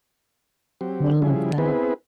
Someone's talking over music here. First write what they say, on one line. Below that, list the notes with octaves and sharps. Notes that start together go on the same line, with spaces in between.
Little of that.
F#3 C4 G4
C#3 F3 G3 E4 G#4
B3 C4 E4 G#4 B4